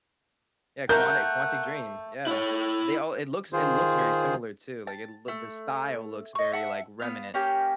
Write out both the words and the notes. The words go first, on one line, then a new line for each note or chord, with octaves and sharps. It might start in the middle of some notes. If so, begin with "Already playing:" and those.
Yeah, Quantic Quantic Dream, yeah, they all it looks it looks very similar too, like it loo the style looks very, like remnant,
A3 A#3 A#4 F#5 G6
E4 C#5
D#3 F4 G#4 C5
A5
A3
D#5 C#6
E5 F#5 A5
B3 F5
A#3 C#4 G4 G5